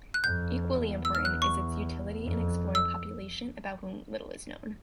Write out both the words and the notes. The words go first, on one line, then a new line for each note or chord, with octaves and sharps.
Equally important is its utility in exploring population about whom little is known.
F#6
F2 G6
E2
E6
F6
F#6
C#6
F2
E6